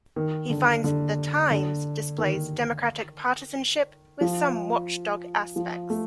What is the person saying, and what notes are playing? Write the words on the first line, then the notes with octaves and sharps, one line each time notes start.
He finds that the "Times" displays Democratic partisanship, with some watchdog aspects.
D#3
D3
D3
D3
D#3
F3
F3
A3